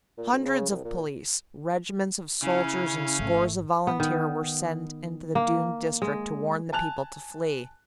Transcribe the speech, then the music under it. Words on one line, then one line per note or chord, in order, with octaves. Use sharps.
Hundreds of police, regiments of soldiers and scores of volunteers were sent into the doomed district to warn the people to flee.
A#2
D2
C#3
C2
A#2
C#3 C#4 E4 F5
G#1 A3
B3
D#3
A#3
G#3
G#5 A5 F#6 F7